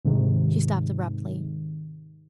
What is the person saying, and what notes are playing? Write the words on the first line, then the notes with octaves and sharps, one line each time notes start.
She stopped abruptly.
G#2 C3 D#3